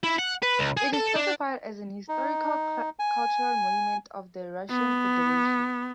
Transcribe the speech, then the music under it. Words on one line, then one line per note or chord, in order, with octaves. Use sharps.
It is classified as an historical cultural monument of the Russian Federation.
E4
F#5
B4
C#2
G#4
A4
D4
D#4
G#5
B3